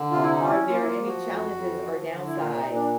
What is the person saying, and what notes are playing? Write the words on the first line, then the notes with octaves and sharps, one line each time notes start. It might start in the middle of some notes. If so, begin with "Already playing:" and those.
Are there any challenges or downsides
Already playing: D3
C3 F4
E4
D#4
C#4 F4
E4
A#3 F4
E4
F4
F3
F#4
F2
F2
F3
D3
E4
A#2 F4
D#4
A#2
D4